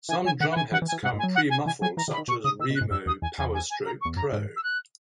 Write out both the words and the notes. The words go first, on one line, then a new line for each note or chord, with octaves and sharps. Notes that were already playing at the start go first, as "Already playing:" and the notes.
Some drumheads come pre-muffled such as Remo Powerstroke Pro.
E3 G#5
F#3 G#5
D#3 F#5
F#5
E3 G#5
E3 F#5
E3
G#5
E3
G#2 F#5
G#2
G#5
F#3
F#5
G#5
E3 G#5
F#3 G#5
E3 A#5
D#3
B5
D#3
B2 C#6
C#3 D#6
D#3 E6
B2
F#6
G#2
F#2 E6
E2 D#6
E2 G#5
E2 G#5
G#5
G#5
A#5
C#6
E2
F#2 A#5
G#2
E6
F#6